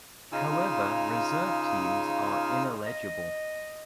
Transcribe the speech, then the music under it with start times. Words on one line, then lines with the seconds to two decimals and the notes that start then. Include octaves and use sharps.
However reserve teams are ineligible.
0.32 C#3 D#4 F4 G#5 E6
2.86 D#5